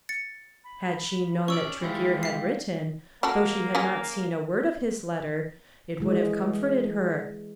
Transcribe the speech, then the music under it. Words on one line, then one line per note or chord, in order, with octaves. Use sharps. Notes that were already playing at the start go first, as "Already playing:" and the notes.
Had she known that Tregear had written, though she had not seen a word of his letter, it would have comforted her.
A6 C#7
B5
C#4 D5 C#6 E6
E3 G3 G#3 E4 F4
F5 C7
A#3 C#4 F#4 A4
C#4 F4 G#4
E3 G#3